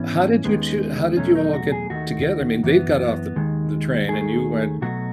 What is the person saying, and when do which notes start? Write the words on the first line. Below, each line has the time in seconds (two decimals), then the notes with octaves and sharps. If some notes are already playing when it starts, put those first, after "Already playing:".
how did you two how did you all get together, I mean, they've got off the the train and you went,
Already playing: G#2 E3 B3 C#4
0.44 D#2 D#3 G#3 B3
1.17 E2 B2 F#3 A3 C#4
1.35 D#4
1.53 F#4
1.72 G#4
1.90 D#2 D#3 A3 F#4
2.63 F#2 E3 B3
3.36 D#2 D#3 G#3
4.09 D#2 D#3 A3 G#4
4.81 B1 B2 F#3 A3 F#4